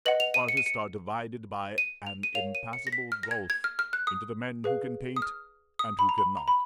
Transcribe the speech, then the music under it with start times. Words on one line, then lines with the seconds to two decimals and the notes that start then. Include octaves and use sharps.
Artists are divided by an impassable gulf into the men who can paint, and who cannot.
0.05 B4 D#5 F#5 F#7
0.20 F7
0.34 D#7
0.48 C#7
0.57 D#7
0.66 C#7
1.78 D#7
2.07 F7
2.23 D#7
2.35 A#4 C#5 F5 F7
2.55 D#7
2.73 C#7
2.87 A#6
2.92 B6
3.12 F6
3.23 A#6
3.31 G#6
3.50 G#6
3.64 F6
3.79 F6
3.93 F#6
4.07 D#6
4.64 G#4 B4 F5
5.16 D#6
5.22 F6
5.79 D#6
5.99 B5
6.09 A#5
6.18 B5
6.37 A#5
6.48 B5